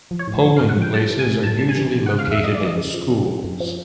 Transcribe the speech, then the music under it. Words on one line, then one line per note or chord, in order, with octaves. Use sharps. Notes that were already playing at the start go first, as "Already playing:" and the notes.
Polling places are usually located in schools.
F3
C#5
A2
F3
A2 F5
F#5
F3 G5
G3 A5
E3
G#5
A2
A2 A5
G3 A5
G#5
E3
E3
C#3 F#5
F5
F2 E5
G3 D#5
D5
E3 D#5
C#3
F3
C#3
F#2
F#2
F3